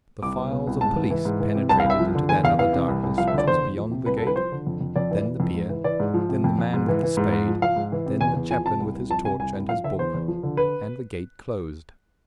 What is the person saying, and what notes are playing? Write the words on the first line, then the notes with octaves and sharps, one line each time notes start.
The files of police penetrated into that other darkness which was beyond the gate; then the bier; then the man with the spade; then the chaplain with his torch and his book, and the gate closed.
C2 D6
B2
B2
C2
G#2 A5
E3
E3
G#2
E3
C3
C2 A5
F5
C2
E5
F3
D3
E2 G#5
E2 F5
E3 F5
C3
C2
C2
F3 F5
E5
D3
D5
E2 C5
E2
F3
C3
C2 B4
A4
C2
B4
F3 C5
D3
F2
F2
F2 D5
E3
E3
F2
G#2
E3
E3 D5
G#2
F3
C3
F2
F2
G#2
E3
E3
G#2
G#2
F3
F3 F5
G#2
E3
C3
E2 G#5
E2
F3 G#5
C3 A5
C2
C2
F3 A5
C3 G#5
C2 G#5
C2
F3 F5
D3 E5
E2 C5
E2
F3
D3
B4